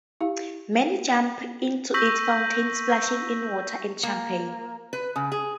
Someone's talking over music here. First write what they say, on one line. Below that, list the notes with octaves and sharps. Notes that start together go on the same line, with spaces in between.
Many jumped into its fountain, splashing in water and champagne.
E4 G4 F5
C#6 E6 G6 A#6 B6 F#7
A#3
B4
C#3
G#4